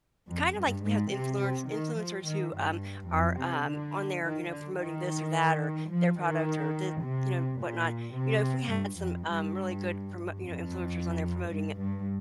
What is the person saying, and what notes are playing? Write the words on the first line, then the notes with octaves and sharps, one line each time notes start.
kind of like we have the influence influencers who, um, are, um, on there, you know, promoting this or that, or their product, or the you know, whatnot, you know, if we had some, um, really good promo you know, influencers on there promoting
F2
G2
G#2
C3
C3
D#3
F3
D#3
G2
F2
C3
D3
D#3
D3
D#3
F3
D#3
C3
A#2
C3
G2
F2
G2
F2
G2
G2